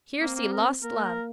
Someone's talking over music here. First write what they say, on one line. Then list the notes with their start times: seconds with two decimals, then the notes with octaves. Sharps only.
Here see lost love.
0.20 A#3 C4
0.36 A#3
0.52 A#4
0.83 A#3 A#4
1.04 A#4